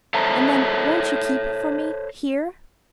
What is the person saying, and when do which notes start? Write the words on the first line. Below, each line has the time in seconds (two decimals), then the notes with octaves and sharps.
And then--won't you keep it for me--here?
0.14 A4 C5 C#5 E5 A5 A#5